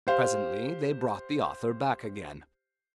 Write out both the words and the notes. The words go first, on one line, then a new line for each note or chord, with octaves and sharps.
Presently they brought the author back again.
G4 C5 F5